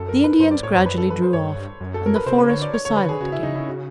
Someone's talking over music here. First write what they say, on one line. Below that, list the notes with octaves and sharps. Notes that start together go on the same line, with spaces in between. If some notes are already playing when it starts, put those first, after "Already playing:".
The Indians gradually drew off, and the forest was silent again.
Already playing: F#2 A4
A#4
B4
G2 C5
D5
A2 C#5
F2 C5
F#2 B4
A4
B4
C5
G2 C#5
F#2
A4
A#4
B4
C3 C5
B4
C#3
D3 C#5
D5
C#5
C#5
D3
B4
D3 G#4
C#3 F#4
E4
C#3 D#4
E4
F#4